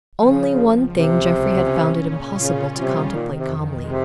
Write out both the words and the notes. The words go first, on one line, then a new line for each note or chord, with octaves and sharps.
Only one thing Jeffrey had found it impossible to contemplate calmly.
C#3 F3
C#2
C#2 C3
C#3
C#4
A#2
C#3 F4
C3 G3
A#2 D#3
C3
F2
C3 G#3